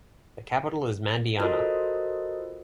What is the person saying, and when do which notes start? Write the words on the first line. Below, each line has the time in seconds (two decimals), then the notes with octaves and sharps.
The capital is Mandiana.
1.40 F4 F#4 A4 A#4 C5 D#5